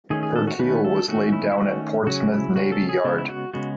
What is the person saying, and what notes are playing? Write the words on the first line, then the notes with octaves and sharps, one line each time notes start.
Her keel was laid down at Portsmouth Navy Yard.
D#3 A3 C#4 G#4
G#4
A4
F#4
D#3 A3 C#4 B4
A4
D#3 A3 C#4 F#4
E4
E4
D#3 A3 C#4 F#4
C#3 F#3 C#4 F#4
E4
C#3 F#3 C#4 F#4
A4
G#4
C#3 G#3 B3 E4
E4
F#4
C#3 G#3 B3 F#4